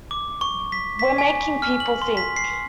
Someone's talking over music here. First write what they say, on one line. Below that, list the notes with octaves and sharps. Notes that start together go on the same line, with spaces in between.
We're making people think.
D6
C#6
B6
B6
G#5
F6
F#7
C6
B6
C7